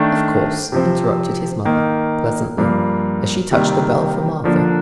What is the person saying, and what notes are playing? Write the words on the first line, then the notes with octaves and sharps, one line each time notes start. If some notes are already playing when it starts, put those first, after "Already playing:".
"Of course," interrupted his mother, pleasantly, as she touched the bell for Martha.
Already playing: D#3 A3 D4
C3 F3 C4
D#3 A#3 D#4
G2 F3 A#3
C3 D#3 G3 A#3
D3 F3 A#3 D4